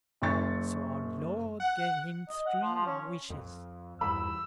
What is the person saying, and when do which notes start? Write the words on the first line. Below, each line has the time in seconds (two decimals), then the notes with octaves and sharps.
So our Lord gave him three wishes.
0.22 F#1 F#2 C#6 A6
1.60 F#5
2.29 D#5
2.46 F#5
2.62 F3
2.74 F3
2.86 C#4
3.30 F2
4.01 E2 G2 B5 E6